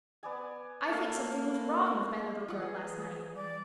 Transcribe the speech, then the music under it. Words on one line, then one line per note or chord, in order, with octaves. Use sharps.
I think something was wrong with my little girl last night.
B3 D5 G#5
A3 A#3 F5
E3 F4 G#4 F#5
G3 D5 D6